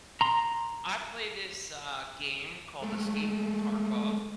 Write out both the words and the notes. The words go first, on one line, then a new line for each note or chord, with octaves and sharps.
I play this, uh, game called Escape from Tarkov.
A#5 C6
G#3 A3